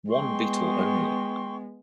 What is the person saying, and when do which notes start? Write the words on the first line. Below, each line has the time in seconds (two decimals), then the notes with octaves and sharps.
One beetle only.
0.10 G#3 B3 G5 C6 C#6